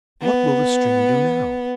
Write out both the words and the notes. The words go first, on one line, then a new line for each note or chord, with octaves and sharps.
What will the stream do now?
B3